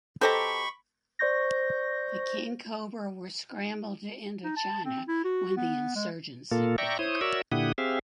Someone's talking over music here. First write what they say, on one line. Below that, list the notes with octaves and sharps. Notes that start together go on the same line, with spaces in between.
The Kingcobra were scrambled to Indochina when the insurgency broke.
B2 G4 A4 C5 A#5 B5 C#6
C5 D5 C#6 G6 A#6
D#4
A5
C4
E4
F#4
B3
G#3
A#2 A#3 F4 A4
D5 E5 G5 A#5 C#6
E4 C5 C#5 D#6
F#4 A#4 C#5 D5 E5 E6
A#2 D3 E4 G4 F#5 D#6
C4 G4 G#4 E5 F5